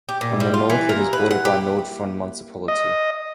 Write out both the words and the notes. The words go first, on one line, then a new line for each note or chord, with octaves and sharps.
On the north it is bordered by Nord-Fron municipality.
G4
A#2
G3
F4
E3
A#4
B4
F#5
G4
D#5